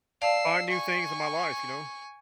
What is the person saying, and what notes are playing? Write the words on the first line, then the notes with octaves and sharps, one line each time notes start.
find new things in my life, you know?
D5 F5 A5 E6 C7
G#5 C#6